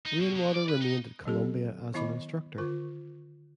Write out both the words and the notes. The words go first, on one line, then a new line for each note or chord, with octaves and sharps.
Rainwater remained at Columbia as an instructor.
D#4
B2
B2
D5
B4
D#4
F#3 C4 G4 A4
D#3 B3 E4 D#5 B5 D6
D3 F4 A#4